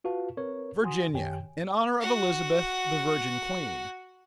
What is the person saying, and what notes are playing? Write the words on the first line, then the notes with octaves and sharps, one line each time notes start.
Virginia--In honor of Elizabeth, the "Virgin Queen."
F4 F#4 B4 F5 A5
C4 A#4 B4 C#5
F#4 F#5 G#5 C6 D#6
F#2 D#3 G4 C#5 G5 G#5
F#4 F#5